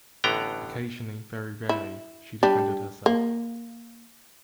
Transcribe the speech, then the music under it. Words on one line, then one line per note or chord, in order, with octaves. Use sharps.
Occasionally, very rarely, she defended herself.
A1 A2 D3 B3 G5 A#5
E4
G3 D4
A#3